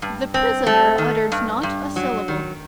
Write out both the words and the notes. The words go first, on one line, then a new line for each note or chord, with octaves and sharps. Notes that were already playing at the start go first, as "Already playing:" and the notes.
The prisoner uttered not a syllable.
G2
C4
A3
D#3
G2
G2
F#3
D#3